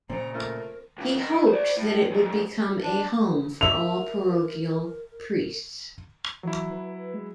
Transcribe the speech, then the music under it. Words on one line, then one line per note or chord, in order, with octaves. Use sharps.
He hoped that it would become a home for all parochial priests.
A#2 C#3 C4 A#5
A3 A#3 F4 A#4
C#2 C#3
D#3 D#5
C5 D5
A2
A#2 G#3
D4
E4 A#4 E5 F7
E3 F#3 E4
B4
G#3